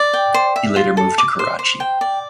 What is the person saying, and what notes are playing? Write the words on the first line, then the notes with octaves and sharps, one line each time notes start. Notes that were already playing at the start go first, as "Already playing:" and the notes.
He later moved to Karachi.
Already playing: D5
G5
C5
E5
F4
A4
D6
C5
C5
G5
D5